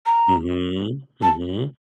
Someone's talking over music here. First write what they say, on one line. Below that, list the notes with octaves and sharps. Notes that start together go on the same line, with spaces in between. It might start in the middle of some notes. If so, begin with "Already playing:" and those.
Mhm, mhm.
A#5
A5